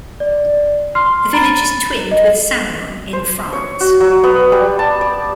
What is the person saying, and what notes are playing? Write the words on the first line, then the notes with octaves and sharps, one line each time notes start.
The village is twinned with Sameon in France.
D5
C6 F6 C7
A#5 B5 A6
D#5
C5
C#5
F#4
F#3
B3
G3
A5
D5